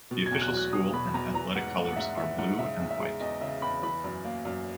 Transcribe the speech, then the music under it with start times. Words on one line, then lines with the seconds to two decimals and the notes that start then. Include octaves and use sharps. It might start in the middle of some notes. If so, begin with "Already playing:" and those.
The official school and athletic colors are blue and white.
0.11 B2
0.26 G#6
0.31 E2
0.42 F#6
0.52 F#3 F#6
0.73 E2 D#6
0.93 B2 B5
1.14 E2 A#5
1.34 E3 A#5
1.55 G#2 F#5
1.76 A#3
1.85 F#5
1.96 G#2 E5
2.17 E3 E5
2.38 G#2 F#5
2.59 C#3 E5
2.80 E2
2.90 E5
3.01 G#3
3.20 E2 D#5
3.41 C#3 E5
3.62 E2 B5
3.83 E3 B5
4.04 F#2
4.25 A#3
4.45 F#2